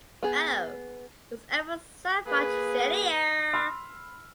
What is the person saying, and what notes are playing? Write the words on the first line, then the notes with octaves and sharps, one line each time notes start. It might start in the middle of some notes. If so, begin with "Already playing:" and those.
Oh, it's ever so much sillier.
B3 G#4
A#3 G#4 B4
B5 C6 E6 F6